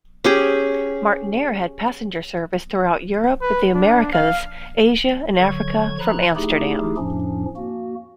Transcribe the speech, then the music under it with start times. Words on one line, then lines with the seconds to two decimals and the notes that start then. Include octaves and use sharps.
Martinair had passenger service throughout Europe, the Americas, Asia, and Africa from Amsterdam.
0.24 C#4 G4 G#4
3.41 B4
3.74 D4
4.13 F5
5.39 D3 F#3 C#6 G#6
5.99 F3 A#5 B5 F#6
6.35 A3 D#4 E4 G4 G#4
6.97 F2 A2 F3 C#4 D4
7.56 A#3 F#4